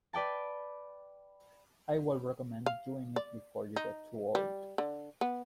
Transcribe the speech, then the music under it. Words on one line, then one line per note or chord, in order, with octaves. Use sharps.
I would recommend doing it before you get too old.
B4 D5 G5 A5
F5
D5
D#4
G3
D3
B3